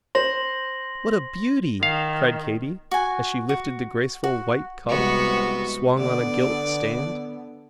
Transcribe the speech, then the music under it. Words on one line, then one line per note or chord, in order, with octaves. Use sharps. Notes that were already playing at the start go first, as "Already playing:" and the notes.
"What a beauty!" cried Katy, as she lifted the graceful white cup swung on a gilt stand.
C5 C6 A#6 F#7
D#3 F5
F#4 G#5
F#4
F#4
C2 C3 G#3 B3 F#4
D3 B3 D5